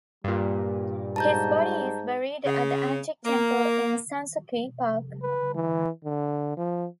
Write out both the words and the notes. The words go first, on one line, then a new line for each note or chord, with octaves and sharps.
His body is buried at the Antique Temple in Sanssouci Park.
G2 A#2 G3
G#2 A5 A#5 G6
C#3
A#3
B4
E3
D3
F3